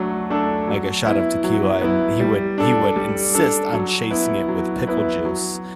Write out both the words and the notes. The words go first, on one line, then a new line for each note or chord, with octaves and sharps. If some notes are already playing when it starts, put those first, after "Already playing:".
like, a shot of tequila, and he would he would insist on chasing it with pickle juice,
Already playing: F#3 A3 D4 A4
A3 D4 A4
F#3
B3 E4
F#3
B3 E4
G3
D4 A4
G3
D4 A4
F#3
B3 E4
F#3
B3 E4
F#3